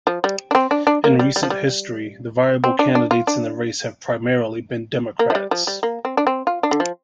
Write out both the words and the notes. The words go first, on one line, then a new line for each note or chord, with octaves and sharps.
In recent history, the viable candidates in the race have primarily been Democrats.
F3
G3
D4
C4
D4
D4
A#3
G3
G3
F3
G3
C4
D4
D4
F4
D4
A#3
F3
G3
F3
G3
A#3
C4
D4
C4
F4
D4
D3
F3